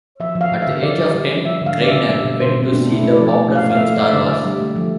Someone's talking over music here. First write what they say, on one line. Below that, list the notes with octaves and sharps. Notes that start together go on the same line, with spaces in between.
At the age of ten Greiner went to see the popular film "Star Wars".
F3 E5
F3
F5
F3
E5
D3
D3 D5
G3
G3
G3
F3 E5
D3 F5
D3 D5
E5
D3
G3 E5
B2
B2 C5
B2
C4
A3 D4
A3 E4
A3
D5
F3
A3
A3
F5
A3 F5
E5
A3
G3 D5
E5
D3 D5
D3
G3
A3
F3